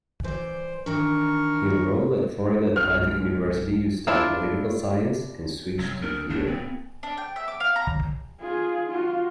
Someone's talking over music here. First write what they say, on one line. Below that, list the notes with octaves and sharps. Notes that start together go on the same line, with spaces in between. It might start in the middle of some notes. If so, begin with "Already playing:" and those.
He enrolled at Florida Atlantic University to study political science and switched to theatre.
E3 C5 D5
D#3 E3 D4 A#4 C#6
B1 F#2 G#3 F6
D4 E4 F4 A4
C2 F2 F#3
D2 A#4
G#1 A3 D4
A#2 F#3 B3 C4
D4
G5
E5
D6
F5
A#5
F4 G#4
F4 F#4